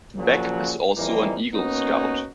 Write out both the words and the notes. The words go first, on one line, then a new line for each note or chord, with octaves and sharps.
Beck is also an Eagle Scout.
A#2 C#3 F3 F#3 F#4
F2 E3 G3 A#3 D#4
A#3 B3 C#4 D#4 F#4